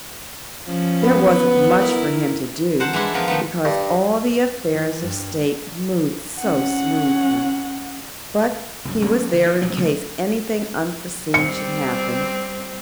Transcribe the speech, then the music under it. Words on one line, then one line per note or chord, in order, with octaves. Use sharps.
There wasn't much for him to do, because all the affairs of state moved so smoothly, but he was there in case anything unforeseen should happen.
F3 C#4
B3
E4 A#4
A#4 C5 F#5 A5
E3 G#3 D4 E4 A4
F3 B3 F4 A#4
D#3 A3 B3
G2
E3
G2
C#4 F#5
C2 F#2
A#1 G#2 A#3 C#4
D3 E3
E3
A1 B2 F3 F#3
A1 C#3 A3 A#3
G3 C4 C#7